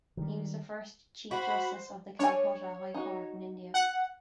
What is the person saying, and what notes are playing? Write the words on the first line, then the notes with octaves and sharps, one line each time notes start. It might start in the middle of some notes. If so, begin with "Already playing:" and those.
He was the first Chief Justice of the Calcutta High Court in India.
D#3 G3
F#4 C5 B5
D4 C#5 G#5
D#4 F#4
F#5